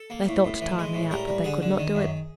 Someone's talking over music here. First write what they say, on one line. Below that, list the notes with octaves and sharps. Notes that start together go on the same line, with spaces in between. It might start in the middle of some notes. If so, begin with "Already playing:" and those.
They thought to tire me out, but they could not do it.
Already playing: A4
A#3
A2
A2
E3
G#3
A2
G3 A#4
G3
D3 G#4
D3
D#3
F#2